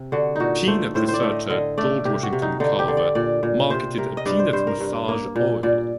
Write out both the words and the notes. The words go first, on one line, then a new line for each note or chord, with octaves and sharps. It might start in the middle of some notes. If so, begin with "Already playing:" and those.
Peanut researcher George Washington Carver marketed a peanut massage oil.
Already playing: C3
D3 F#4
A#2 D#4 F#4
A3 C5
A2 C5
C5
D5
A3
D#5
D3 D#5
A3 D5
C3 G4
F#4
C3
D#4
D3 D#4
G4
D3
D5
A#2 D5
A#2
C3 C5
C3 A#4
D#5
G2 D5
C5
G2 C5
A#4
G2
A#3
A#2
A#2 D5